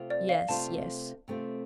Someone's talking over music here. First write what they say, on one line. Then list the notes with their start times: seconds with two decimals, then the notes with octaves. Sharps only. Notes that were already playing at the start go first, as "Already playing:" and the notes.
"Yes, yes."
Already playing: C3 A3 C4 F4
0.10 D5
0.29 F5
0.49 C3 A3 C4 F4 A5
1.28 C3 A3 C4 F4